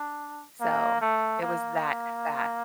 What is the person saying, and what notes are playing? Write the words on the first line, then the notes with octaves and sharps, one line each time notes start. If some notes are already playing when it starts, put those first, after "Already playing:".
So it was that fat.
Already playing: D4
A#3
A3
A#3